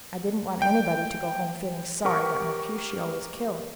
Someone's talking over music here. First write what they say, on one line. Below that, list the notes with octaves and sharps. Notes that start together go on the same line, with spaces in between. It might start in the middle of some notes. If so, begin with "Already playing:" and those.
I didn't want anybody to go home feeling sorry that Mercutio was killed.
G5
G4 A#4 F#5 C#6